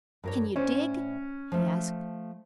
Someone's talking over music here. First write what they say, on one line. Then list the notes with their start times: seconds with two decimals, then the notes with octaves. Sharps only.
"Can you dig?" he asked.
0.24 G2 A#4 C#5
0.56 A2 C#4 C5 D5
1.52 F3 A3